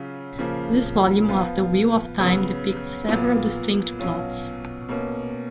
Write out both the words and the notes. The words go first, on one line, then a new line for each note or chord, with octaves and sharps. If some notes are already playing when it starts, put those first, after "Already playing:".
This volume of "The Wheel of Time" depicts several distinct plots.
Already playing: C#3 F#3 C#4 F4
C#3 F3 A#3
F3 B3 F4
C#3 F#3 B3
A#2 F#3 B3 F4
B2 F#3 C#4 F4
B2 A#3 C#4